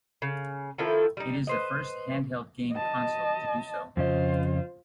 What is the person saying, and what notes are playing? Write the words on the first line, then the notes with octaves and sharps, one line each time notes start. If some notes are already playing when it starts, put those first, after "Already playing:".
It is the first handheld game console to do so.
C#3
D#3 F3 E4 A4
G3 D#4
B4 C5 D#5
D#5 A5
F2 C#3 F4 C5 D#5